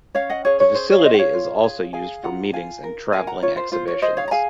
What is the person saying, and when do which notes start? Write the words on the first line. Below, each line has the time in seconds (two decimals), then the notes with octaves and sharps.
The facility is also used for meetings and traveling exhibitions.
0.15 C#4 C#5 F5
0.30 D#5 F#5
0.45 G#4 C#5 F5
0.60 C#5
0.74 G#4 C5
0.90 C#5
0.98 F5
1.04 C#4 C5 D#5
1.14 F#5
1.19 C#5 F5
1.34 F4
1.64 G#4
1.93 G#4 F5 G#5
2.23 F4 F#5 A#5
2.53 F4 F5 G#5
2.84 A#4
3.13 A#4 F5 G#5
3.27 F#5 A#5
3.42 F4 C#5
3.57 C5
3.72 F4 C5
3.88 C#5
4.02 G#4 C5 D#5
4.17 C#5 F5
4.28 A#5
4.31 G#4 F5 G#5